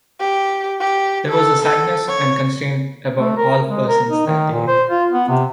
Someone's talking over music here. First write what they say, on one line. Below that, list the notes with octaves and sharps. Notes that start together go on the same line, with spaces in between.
There was a sadness and constraint about all persons that day.
G4
G4
A4
A4
C#5
A3
A#4
G#3
A#4
D#4
D#3
A#2
C5
F4
B3
C3